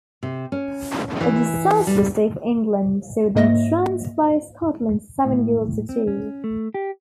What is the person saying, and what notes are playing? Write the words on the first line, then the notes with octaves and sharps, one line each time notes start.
A disastrous day for England saw them trounced by Scotland seven goals to two.
C3
C#4
E3
G3
G#2 A#3 D#5 E5 A#6
A2
C4
C#4
A3
G4